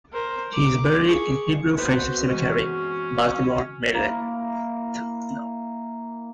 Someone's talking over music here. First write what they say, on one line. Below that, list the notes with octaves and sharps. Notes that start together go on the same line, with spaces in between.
He is buried in Hebrew Friendship Cemetery, Baltimore, Maryland.
A#4 C5
D6
G#4 C#6
B3 C4 F#4 B4 C5
E3 G#3 C#4 D#5
A#3 E4